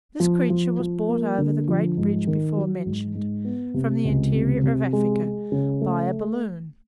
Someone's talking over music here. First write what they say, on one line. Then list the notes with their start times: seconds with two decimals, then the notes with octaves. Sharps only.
This creature was brought over the great bridge before mentioned, from the interior of Africa, by a balloon.
0.20 F3
0.50 F3
0.79 F3
1.09 A#3
1.38 D3
1.68 F3
1.97 G#2
2.27 D#3
2.56 F#3
2.86 G#2
3.15 G#2
3.44 B3
3.74 C3
4.05 C#2
4.33 C3
4.64 C3
4.93 G#3
5.22 G#3
5.52 C#3
5.81 A3